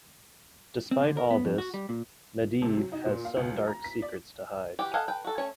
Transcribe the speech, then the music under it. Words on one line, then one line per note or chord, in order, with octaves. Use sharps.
Despite all this, Medivh has some dark secrets to hide.
C4
D3
A#4
B3
F2
F#4
G3
A#2
C3
F#3
D#4
A#2
F5
C#2
F#3
A#5
B6
D5
E3 F#4 G4
A4 D#5 F5 F#5 G#5
B4 G5
F#4 A4
A3 C#4 C#5